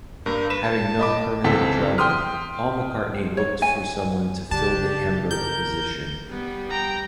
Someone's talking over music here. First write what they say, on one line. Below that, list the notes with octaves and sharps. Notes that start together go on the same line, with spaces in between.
Having no permanent drummer, Paul McCartney looked for someone to fill the Hamburg position.
G2 A#3 A#4
B4 E7
A5
D#5 B5 D6
C#2 E3 C4 A4 B6
G5 C6 D#6 F6
C#5
G#5
C#3 D4 G4 A5
A#4 G6
G3 B3
G5 A#5